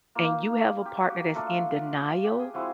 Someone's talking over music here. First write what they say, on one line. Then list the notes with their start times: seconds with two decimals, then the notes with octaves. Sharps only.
and you have a partner that's in denial,
0.15 A#3 D#4 F4
0.86 G4
1.00 F#4 G4
1.35 A3 D4 F4
2.24 G4
2.39 G#4
2.54 F3 G#3 C4 E4 F#4